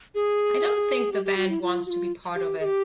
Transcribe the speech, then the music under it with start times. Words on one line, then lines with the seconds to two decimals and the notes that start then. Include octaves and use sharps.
I don't think the band wants to be part of it.
0.15 G#4
1.12 G4
1.25 G4
1.37 F#4
1.49 E4
1.62 F4
1.86 F#4
1.90 F4
2.35 G4
2.60 G#4
2.65 G4